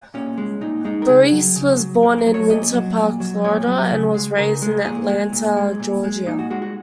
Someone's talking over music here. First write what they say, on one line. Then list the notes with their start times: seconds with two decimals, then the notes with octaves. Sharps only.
Bearse was born in Winter Park, Florida and was raised in Atlanta, Georgia.
0.14 A#2 C#4
0.38 G#3
0.61 A#2 D#4
0.85 G#3 D#4
1.02 A#4
1.08 C#3 G#4
1.32 F#3
1.56 C#3
1.79 F#3
2.03 A#2 A#4
2.18 A#4
2.26 F#3
2.34 C#5
2.49 A#2 D#5
2.73 F#3
2.97 A#2
3.20 F#3
3.44 A#2 C#5
3.67 F#3
3.91 C#3
4.14 G#3
4.38 C#3 A#4
4.62 G#3
4.85 A#2 G#4
5.09 G#3
5.32 A#2
5.56 G#3
5.80 A#2
6.04 G#3
6.26 A#2 D#4
6.39 F#4
6.50 G#3 F#4
6.62 F#4